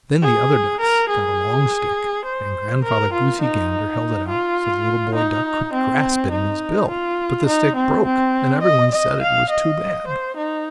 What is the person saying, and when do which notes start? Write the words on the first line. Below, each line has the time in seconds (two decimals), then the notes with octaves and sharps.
Then the other ducks got a long stick and Grandfather Goosey-Gander held it out, so the little boy duck could grasp it in his bill, but the stick broke, and every one said it was too bad!
0.22 G#4
0.80 A#4
1.09 G#4
2.25 C5
2.83 A#4
3.13 F4
3.41 D#4
4.28 F4
5.15 D#4
5.73 C4
6.31 D#4
6.89 F4
7.47 D#4
7.76 C4
8.05 C4
8.63 D#5
8.92 D#5
9.21 F5
9.50 D#5
10.08 C5
10.37 D#4